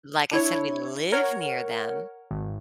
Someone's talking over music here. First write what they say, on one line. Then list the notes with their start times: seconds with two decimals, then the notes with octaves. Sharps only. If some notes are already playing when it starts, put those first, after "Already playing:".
like I said, we live near them.
0.31 D4 E4 C#5
1.12 A#4 C#5 F#5
2.31 G#1